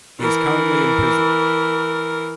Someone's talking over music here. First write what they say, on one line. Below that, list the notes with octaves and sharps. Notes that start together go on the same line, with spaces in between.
He is currently in prison.
E3 A#4